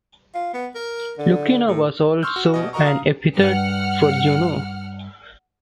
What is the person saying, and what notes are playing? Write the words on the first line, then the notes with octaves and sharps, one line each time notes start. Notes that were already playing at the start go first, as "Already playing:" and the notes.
Lucina was also an epithet for Juno.
F4
B3
A#4
D3
A2
C6 C#6 E6 F6 G6
F#4
B2 D#5
F#4 A#4 D#5 A#5 C#6
F5 A#5 D#6
G2 F#5 F6